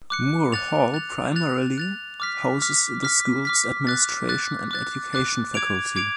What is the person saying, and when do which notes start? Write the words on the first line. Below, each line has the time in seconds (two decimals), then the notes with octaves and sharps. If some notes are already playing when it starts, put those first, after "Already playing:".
Moore Hall primarily houses the school's administration and education faculty.
0.10 D6 F#6 C#7
0.52 F#6 A6 F7
0.94 F#6 A6 F7
1.36 F#6 A6 F7
1.78 F#6 A6 F7
2.20 D6 F6 B6
2.62 D6 F6 B6
3.03 D6 F6 B6
3.45 D6 F6 B6
3.87 D6 F#6 A6
4.29 D6 F#6 A6
4.71 D6 F#6 A6
5.13 D6 F#6 A6
5.54 D6 G#6 D7 F7
5.96 D6 G#6 D7 F7